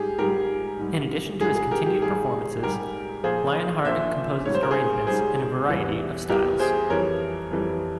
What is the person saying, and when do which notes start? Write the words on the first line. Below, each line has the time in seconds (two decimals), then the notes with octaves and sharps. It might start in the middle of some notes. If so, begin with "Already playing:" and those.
In addition to his continued performances, Lienhard composes arrangements in a variety of styles.
Already playing: G#2 G3 G4 G#4
0.19 G#2 G3 G4 A#4
0.79 G#2 G3
1.40 G#2 G#4
1.44 G3
1.56 G#4
1.71 G4 A#4
1.86 G4
2.02 G#2 G3 G#4
2.63 G#2 G3 G4 A#4
3.24 A#2 F3 G#4 C5
3.85 A#2 F3 C5 E5
4.45 G#2 C#5
4.49 G3
4.55 C5
4.63 A#4
4.71 G#4 C5
5.07 G#2 G3 G#4 C5
5.68 E2 E3 G3
6.29 E2 E3 G3 G4 A#4
6.59 G#4 C5
6.90 F2 E3 G3 A#4 C#5
7.51 F2 E3 G3